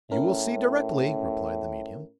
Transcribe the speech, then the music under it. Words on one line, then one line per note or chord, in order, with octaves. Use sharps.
"You will see, directly," replied the medium.
A2 C#4 A#4